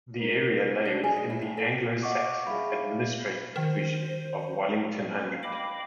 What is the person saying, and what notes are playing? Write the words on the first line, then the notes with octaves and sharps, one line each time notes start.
The area lay within the Anglo-Saxon administrative division of Wallington hundred.
A#4
D4
G#4
G#3
E4
A2
A4
D#5 F#5 C#6 D6
G#4 E5 F5 B5
D#3 C5
A#3
D#5 F5 G5 B5 D6